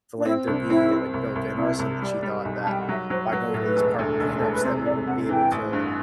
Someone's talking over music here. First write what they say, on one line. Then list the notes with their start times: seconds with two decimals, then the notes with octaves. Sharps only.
philanthropy, like, built in us, and that she thought that by going to these park cleanups, that we would be able to,
0.18 D4
0.25 C4 E4
0.47 C2 D4
0.69 C4 E4
0.91 C4
1.14 C2
1.35 C2
1.57 C3 E4
1.79 C2
2.01 G3 D5
2.23 G3
2.45 B1
2.63 A5
2.67 G3 G5
2.80 F#5
2.88 F#3 E5
3.10 F#3 C5
3.32 F#3 B4
3.47 A4
3.54 A2
3.61 B4
3.76 E1
3.99 D2
4.20 E1
4.37 E1 A4
4.51 B4
4.64 C3 C5
4.85 C3 D5
5.07 C3 F#5
5.29 E3 G5
5.51 A1
5.73 G2
5.84 F#5